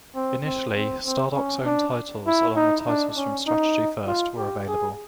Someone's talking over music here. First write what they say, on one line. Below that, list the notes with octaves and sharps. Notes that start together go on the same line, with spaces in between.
Initially, Stardock's own titles along with titles from Strategy First were available.
C4
C4
C4
C4
C#4
D4
E4
D#4
D4
C#4
D#4
F4
G4
G#4